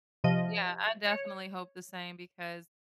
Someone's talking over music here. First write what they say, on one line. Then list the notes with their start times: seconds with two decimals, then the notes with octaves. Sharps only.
Yeah, I definitely hope the same, because
0.24 C3 F3 D#5
1.07 C#5